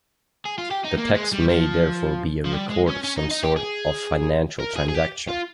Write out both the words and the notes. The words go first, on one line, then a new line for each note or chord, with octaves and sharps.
The text may therefore be a record of some sort of financial transaction.
G#4
F4
G4
D#4
A#3
G#3
G3
F3
F3
G3
G#3
C#4
C#4
D#4
D#4
G4
G#4
A#4
G#4
G#4
G4
F4